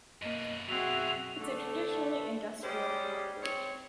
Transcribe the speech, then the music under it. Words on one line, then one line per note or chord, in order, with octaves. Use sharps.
It’s a traditionally industrial population.
F#2 B2 A#3 D#5
C4 F#4 G#4 E5 F7
D3 A3
G3 G#3 C#4 G4 C5
C4 C#5